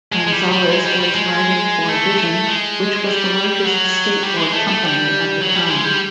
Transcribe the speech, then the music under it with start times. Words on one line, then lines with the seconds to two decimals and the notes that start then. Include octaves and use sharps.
Gonzales was riding for Vision which was the largest skateboard company at the time.
0.12 G#3
0.27 G#3
0.32 G3
0.51 G3
0.71 G#3
0.86 G3
1.00 G3
1.15 G#3
1.88 A3
2.18 A3
2.47 G#3
3.06 G3
3.64 F#3
4.23 G3
4.38 G#3
4.52 A3
4.67 A3
4.82 G3
5.41 F#3
5.55 G3
5.70 G#3
5.85 G3